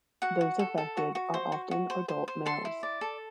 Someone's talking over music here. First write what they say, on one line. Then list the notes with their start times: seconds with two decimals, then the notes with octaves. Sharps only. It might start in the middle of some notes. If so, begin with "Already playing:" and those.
Those affected are often adult males.
0.22 F#4 F#5
0.41 F#4
0.59 A4
0.78 A4
0.97 F#4
1.15 F#4
1.34 C5
1.52 F#4
1.71 F#4
1.90 C5
2.09 C5
2.28 C5
2.46 A4 C6
2.65 E4
2.83 D5
3.01 A4